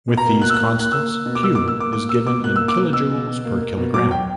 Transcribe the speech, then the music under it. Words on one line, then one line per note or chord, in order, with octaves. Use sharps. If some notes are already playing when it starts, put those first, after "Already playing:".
With these constants, "Q" is given in kilojoules per kilogram.
B2
A#5
A#3
A#3 F#6
E6
F#6
A#3
A#3 F#6
A#3 E6
A#3
B2
D6
A#3 E6
D6
A#3
E6
A#3 D6
A#3 D6
A#3 E6
B2 D6
A#3 F#6
E6
A#3
D6
B2
B2 E6
B2
B2
A#3
A#3
B2
F#3 D6
F#3 G5